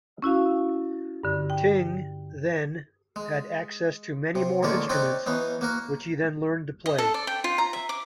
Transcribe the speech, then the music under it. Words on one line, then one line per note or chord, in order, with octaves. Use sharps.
Tyng, then, had access to many more instruments, which he then learned to play.
C#4 E4 F#4 F5
G2 D3
G5
G#3
C3
A1 D3 G#3 A#3 C#5 D5
C4 C#4 D#4 F#4 D5 D#5
E3 B3 C#4 D#4
A#3 F#4 A#4
D#5
A4
D5
G5
F4
A#5
E5
D6